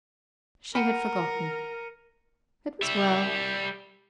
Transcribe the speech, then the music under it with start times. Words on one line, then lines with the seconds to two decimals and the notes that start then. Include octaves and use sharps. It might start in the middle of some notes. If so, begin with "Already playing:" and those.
She had forgotten. It was well.
0.75 A#4 F#5 G5 A#5 B5 F6 C#7 D#7
2.82 G3 E5